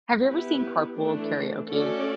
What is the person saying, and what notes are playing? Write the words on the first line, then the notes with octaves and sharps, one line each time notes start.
Have you ever seen Carpool Karaoke
B3 E4 G4 B4
E3 A3 D4
A3 C#4 F#4 A4 D5